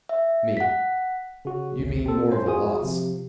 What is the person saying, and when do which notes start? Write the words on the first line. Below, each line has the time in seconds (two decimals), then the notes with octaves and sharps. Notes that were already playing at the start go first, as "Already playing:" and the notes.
ME: You mean more of a loss.
0.09 E5
0.57 F#5 B6
1.45 C#3 F#4
1.79 A1 D2
2.06 C4 A4
2.31 C#4 C5
2.46 F4 F#4 G#4 G#5 D#6
2.83 C3 F3